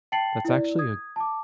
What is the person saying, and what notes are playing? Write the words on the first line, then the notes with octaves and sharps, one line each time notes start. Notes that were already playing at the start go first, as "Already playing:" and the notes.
that's actually a
G5 A5 A6 C7 C#7 F#7
E4 D5
D#6 G#6
A5 D6